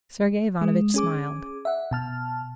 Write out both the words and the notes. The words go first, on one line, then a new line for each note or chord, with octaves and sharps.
Sergey Ivanovitch smiled.
G#3
C#4 G#4 D6
E5 F#5
B2 A5 F6